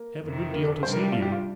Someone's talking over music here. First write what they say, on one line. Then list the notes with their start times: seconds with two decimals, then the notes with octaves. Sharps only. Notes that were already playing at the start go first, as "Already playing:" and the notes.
I have a good deal to say to you.'
Already playing: A#3
0.23 F2 C3 D#3
0.53 A#3
0.63 D4
0.72 A4
0.83 C3 G3 D4 C5
0.93 A#4
1.03 G4
1.12 F4
1.22 G4
1.32 F4